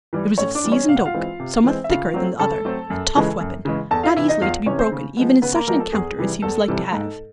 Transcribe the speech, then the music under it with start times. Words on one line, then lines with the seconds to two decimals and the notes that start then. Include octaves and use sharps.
It was of seasoned oak, somewhat thicker than the other, a tough weapon, not easily to be broken even in such an encounter as he was like to have.
0.13 E3 G3
0.38 A2 C#4 C#5
0.55 D4 D5
0.64 E3 G3
0.72 C#4 C#5
0.88 C3 F5
0.97 F#5
1.05 F4 F5
1.14 E3 G#3 C4
1.39 C3
1.64 E3 G#3 C4
1.84 E5
1.89 C#3 F4 F5
2.14 F#3 A3 C4
2.39 C#3 A4 A5
2.65 F#3 A3 C4
2.90 F#2
3.15 C#3 E3 G#3
3.41 F#2
3.65 C#3 E3 G#3
3.91 E2 A4 A5
4.03 F4 F5
4.16 C3 E3 E4 E5
4.28 D#4 D#5
4.41 E2 F4 F5
4.66 C3 E3 C#4 C#5
4.78 C4 C5
4.92 C#3
5.17 F3 G#3 B3
5.42 C#3 B3 B4
5.55 A#3 A#4
5.67 F3 G#3 A#3 B3 A#4
5.80 A4
5.92 E2 G#4
6.18 C3 E3 G3
6.42 E2 A4
6.68 C3 E3 G3
6.93 G#2